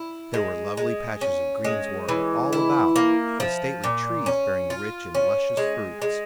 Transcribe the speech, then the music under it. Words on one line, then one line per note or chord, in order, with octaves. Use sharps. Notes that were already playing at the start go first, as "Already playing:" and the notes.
There were lovely patches of greensward all about, with stately trees bearing rich and luscious fruits.
Already playing: E4
G#3
G#3
C#4
G#3
E3
E4
A#3
F3
A#2
C#4
F4
C#4
G#3
G#3